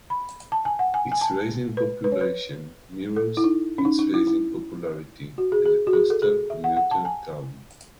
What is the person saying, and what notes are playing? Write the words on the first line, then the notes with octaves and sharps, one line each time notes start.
Its rise in population mirrors its rise in popularity as a coastal commuter town.
B5
A5
G#5
F#5
G#5
G#5
A5
B4
B4
C#5
B4
A4
E4
D#4
C#4
D#4
D#4
E4
E4
F#4
G#4
G#4
F#4
G#4
A4
G#4
E5
F#5
F#5
A5
G#5